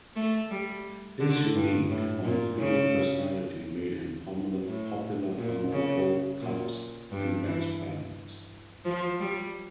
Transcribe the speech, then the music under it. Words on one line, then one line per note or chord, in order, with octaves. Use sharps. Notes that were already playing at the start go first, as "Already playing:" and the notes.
His unique on-field personality made him popular among both Cubs and Mets fans.
A3
G3
D3
G2
A2
A#2
C#3
A2
A#2
C#3
A#2
G2
E3
F3
G3